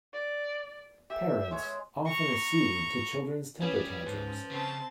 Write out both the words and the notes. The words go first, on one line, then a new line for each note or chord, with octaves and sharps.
Parents often accede to children's temper tantrums.
D5
G4 E5
G#3 C#5
A#5 C#6
G3 C#4 G#4 B4
G#2 F3
C#3 C4 A5